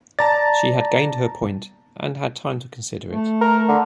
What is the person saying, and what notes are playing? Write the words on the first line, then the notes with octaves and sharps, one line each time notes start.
She had gained her point, and had time to consider it.
D5 A5 A#5 A6
A3
A#4
D3